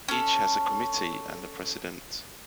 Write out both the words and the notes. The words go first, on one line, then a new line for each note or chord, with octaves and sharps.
Each has a committee and a president.
C#4 A4